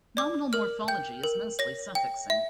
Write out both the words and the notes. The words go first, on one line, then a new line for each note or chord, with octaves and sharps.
Nominal morphology is mostly suffixing.
D5 D6
A#4 F6
G5 G6
A#4
C#5 A#6
G5
E5